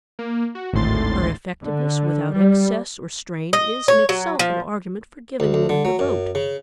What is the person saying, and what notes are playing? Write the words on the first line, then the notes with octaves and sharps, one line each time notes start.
Her effectiveness without excess or strain is in itself an argument for giving woman the vote.
A#3
F#4
G#1 D2 A2 C6 A6
D3
G3
D#5
C#5
F#3
F3
D2
D2
D3
F#3
F#2
C#3